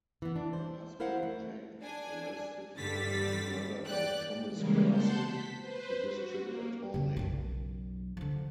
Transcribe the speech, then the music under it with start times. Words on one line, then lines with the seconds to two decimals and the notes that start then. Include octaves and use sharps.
Her husband Jack is arrested for her murder by Thomas Krasny, a district attorney.
0.22 E3 B3
0.36 D4
0.53 C5
1.00 E4 A#4 C5 F5 F#5
1.23 A3
1.81 D4 G#5
2.77 G2 D3 G3 A6 B6
3.85 D5 G5 F#6
4.52 C#3 E3 G3 G#3 A#3
4.90 F#5 A5 C6 G6
5.24 B6
5.57 B4 C5
6.08 F#4
6.40 A#3
6.94 C#3 C4
7.17 B1 F#2
8.17 D3 F3